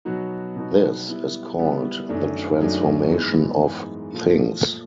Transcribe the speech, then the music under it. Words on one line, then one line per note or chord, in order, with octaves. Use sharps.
This is called the Transformation of Things.
B2 F#3 B3 D#4 F#4
B2 F#3 B3 D#4 F#4
G3 B3 E4
G3 B3 E4
F#2 D#3 F#3 A3 D4
F#2 D#3 F#3 A3 D4
G#2 E3 G#3 B3 D#4
G#2 E3 G#3 B3 D#4
A#2 F3 A3